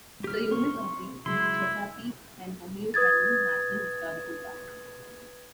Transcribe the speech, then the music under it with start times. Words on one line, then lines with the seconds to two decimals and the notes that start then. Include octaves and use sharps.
This is a unit of the Chesapeake and Ohio Canal National Historical Park.
0.24 G4 F6
0.51 C4 C6 C#6
1.26 C#3 F#3 G#3 E4 C6
2.94 B4 D#6 G#6 A6